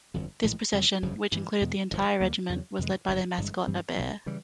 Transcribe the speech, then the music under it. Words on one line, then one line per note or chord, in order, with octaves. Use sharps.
This procession, which included the entire regiment, was led by their mascot, a bear.
G1 F2 D3 F#3
A#1 A2 E3 G#3
F2 C#3 F#3
G1 F#2 C#3 F3
G2 E3 G3
E2 B2 G#3
G1 F2 C3 F3
D2 D3 G3 A#3
E2 C#3 F#3
F2 C3 E3 G#3
G1 F#2 C#3
G1 G2 E3 G#3
G2 E3 G3 C4
B1 B2 F#3
C#3 E3 G3